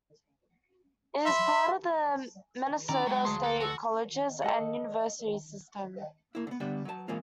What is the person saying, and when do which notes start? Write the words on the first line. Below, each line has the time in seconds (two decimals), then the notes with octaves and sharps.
It was part of the Minnesota State Colleges and Universities System.
1.26 E5 B5 C6
2.89 D#3 C#4 E4 D5 G5 A#5
3.07 F#3 G#3 G5
3.25 D2 G#4 A5 C6
3.43 A4 B4 G#5
3.60 F#4 A4
4.43 A4 D#5 F#5
6.35 A#3 E4
6.47 D3 B3
6.60 D3 G3 B3 D4
6.85 F#3 A5
7.08 E3 G#3 A#3 C4 F4